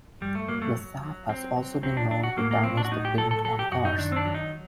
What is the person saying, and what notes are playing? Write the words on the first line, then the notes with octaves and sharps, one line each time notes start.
The sap has also been known to damage the paint on cars.
G2 G3
A3
F#3 A#3
A3
F#3
F#3
F#3 C4
F#3
F#3 C4
D4
F#3 D4
F#4
A2 A#3
A#3
F#3 C4
D4
F#4
A2 D#4
G4
F#3 A4
A4
F#3 A4
G4
F#2 F#4
D#4
D#3 D4
C4
D4
F#3
D#4